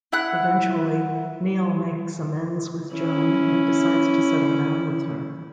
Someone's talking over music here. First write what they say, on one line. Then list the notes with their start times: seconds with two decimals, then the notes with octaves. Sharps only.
Eventually, Neal makes amends with Joan, and decides to settle down with her.
0.12 E4 F#5 F#6
2.94 C#4 E4